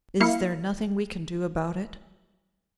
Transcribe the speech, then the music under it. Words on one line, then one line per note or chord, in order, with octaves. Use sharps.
"Is there nothing we can do about it?"
A#3 E4 F5 C#7